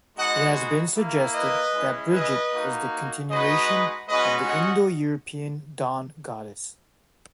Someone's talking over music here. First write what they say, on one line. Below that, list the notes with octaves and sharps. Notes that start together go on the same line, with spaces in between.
It has been suggested that Brigid is a continuation of the Indo-European dawn goddess.
G#3 B3 D#4 F#4 D#5 F#5
A#3 E4
B4 D#5
G#3 C#4 E4
B4 D#5
A#3 D#4 F#4
G#3 D#4 F#4 B4 D#5
G#3 C#4 F#4 B4 D#5
D#5 F#5